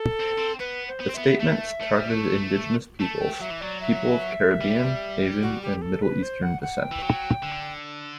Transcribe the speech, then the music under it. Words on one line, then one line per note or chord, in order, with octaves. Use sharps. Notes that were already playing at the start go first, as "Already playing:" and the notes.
The statements targeted indigenous peoples, people of Caribbean, Asian, and middle-eastern descent.
Already playing: A4
C4
C4
B3 B4
C5
B3
C4
B3 E5
A3
A3
G3
A3
A3 A5
G5
F#3 E5
E3
F#3 D5
E5
G3
F#4
G4
A4
B4
C5
F#5
F#5
G5
E3
F#3
D3